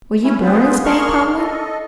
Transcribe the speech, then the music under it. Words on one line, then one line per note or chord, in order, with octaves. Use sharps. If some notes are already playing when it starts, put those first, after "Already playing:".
"Were you born in Spain, Pablo?"
C#4 E4
B3 F4 G#4 B4 C5
A#3 G#4 A#4 C6 C#6 F6
A4 D#5